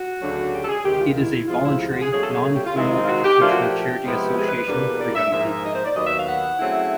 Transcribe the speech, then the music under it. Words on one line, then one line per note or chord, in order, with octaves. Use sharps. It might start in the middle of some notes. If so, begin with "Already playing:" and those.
It is a voluntary, non-formal educational charity association for young people.
Already playing: F#4
D2 C#3 F#3 A3 D4
G4
A4
G#4
D2 C3 D#3 G#3 G4
F4
E4
D2 C3 F3 G#3 F4
E4
F4
F#4
G#4
E2 C#3 F#3 A3 G#4
A4
G#4
G#4
G4
F4
C3 D#3 G#3 C4 D#4 E4
F4
F4
F#4
G4
A#2 F3 A3 D4 F4
F#4
G4
C3 F3 G#3 B3 E4
G#4
B4
B4
E2 B2 G3 A#3 D4
D5
E5
G#2 F3 A#3 D#4 E5
D#5
C5
D5
D#2 D#3 F#3 B3 D#5
E5
F5
F#5
C#3 F#3 A3 C4 E4